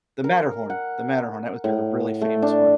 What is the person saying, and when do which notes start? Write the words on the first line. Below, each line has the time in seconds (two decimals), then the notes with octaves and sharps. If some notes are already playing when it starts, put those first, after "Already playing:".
The Matterhorn. The Matterhorn, that was the other really famous one.
0.24 A#4
0.70 F#5
1.64 A2
2.21 A3
2.42 D4